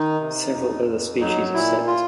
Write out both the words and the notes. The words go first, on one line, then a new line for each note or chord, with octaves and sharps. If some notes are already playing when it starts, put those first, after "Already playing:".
Several other species of sect.
Already playing: D#3 D#4
C3
F2
F2
F#3 D#4
A#2 E4
F4